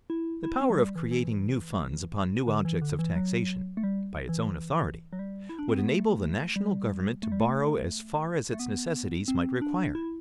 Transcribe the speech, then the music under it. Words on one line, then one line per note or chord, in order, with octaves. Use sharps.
The power of creating new funds upon new objects of taxation, by its own authority, would enable the national government to borrow as far as its necessities might require.
E4
E4
C4
F#3
G3
E3
E3
D3
E3
D3
E3
F#3
A3
G3
E3
F#3
G3
E4
D4
C4
B3
A3
G3
A3
G3
A3
A3
B3
C4
D4
E4